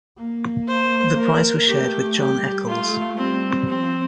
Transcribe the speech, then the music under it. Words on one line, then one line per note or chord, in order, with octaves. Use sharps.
The prize was shared with John Eccles.
A#3
C5
A#4
A3 G4
G3 G4
A3 F4
G3 C4
F3 C4